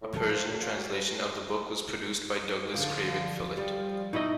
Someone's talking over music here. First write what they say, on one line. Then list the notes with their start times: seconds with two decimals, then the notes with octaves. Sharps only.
A Persian translation of the book was produced by Douglas Craven Phillott.
0.02 A2
0.17 A4
0.31 F3
0.47 F#2
0.63 F4
0.74 F#3
0.92 B4
2.74 D3 F3
3.57 F3 G3
4.13 B2 D#4 E4 D#5